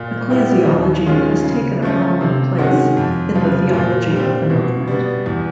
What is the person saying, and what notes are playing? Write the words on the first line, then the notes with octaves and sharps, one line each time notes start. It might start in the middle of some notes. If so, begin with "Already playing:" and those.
Ecclesiology has taken a prominent place in the theology of the movement.
Already playing: A#2
G3 B3 E4 G4
D#2
D#3 G#3 C#4 F4
C#3
F3 A3 C#4
C3
D#3 G#3 C#4 F#4
F2
C#3 F3
A#2
G3 C4
B2
G3 B3
E2